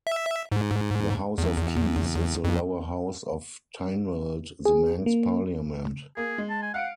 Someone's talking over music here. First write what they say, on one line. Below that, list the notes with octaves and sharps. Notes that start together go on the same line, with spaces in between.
The House of Keys is the lower house of Tynwald, the Manx parliament.
E5
G#2
E2
F2
G#4
A#3
A#3 G#4
G#3
A5
G#5
F5 F#5 C#7 D7